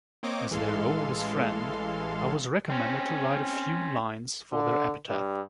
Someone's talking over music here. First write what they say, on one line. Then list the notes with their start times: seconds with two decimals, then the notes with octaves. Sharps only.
As their oldest friend, I was recommended to write a few lines for their epitaph.
0.23 A#3 C4 C#5 D#5 D6
0.51 A1 E3 G#3 A4 F5 C6
2.70 C4 C#4
4.52 D3
5.09 G2